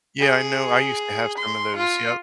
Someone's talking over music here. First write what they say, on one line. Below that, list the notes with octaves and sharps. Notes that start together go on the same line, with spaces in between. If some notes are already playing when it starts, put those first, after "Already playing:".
Yeah, I know, I used to have some of those, yup.
G#4
C6
F4